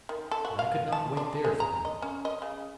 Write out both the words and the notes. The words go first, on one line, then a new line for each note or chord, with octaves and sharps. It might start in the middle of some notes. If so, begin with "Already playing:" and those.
But I could not wait there for them.
D#3
A4
F#4
F5
A5
D4
G#3
A#5
D#5
C#4
D#5
C#3